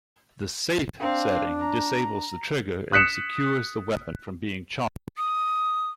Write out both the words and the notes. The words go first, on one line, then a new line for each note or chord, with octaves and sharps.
The "safe" setting disables the trigger and secures the weapon from being charged.
C4 D4 F5
A#5
D#6 F#6 B6 C#7 E7
D#6